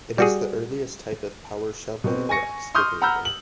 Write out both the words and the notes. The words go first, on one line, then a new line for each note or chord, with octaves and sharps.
It is the earliest type of power shovel or excavator.
G3 F#4 G#4
B2 C4
G#5 C#6 A#6 C#7
C6 C#6 D#6 F6 G6
F#5 A#5 B5 E6 F6 G6
F#7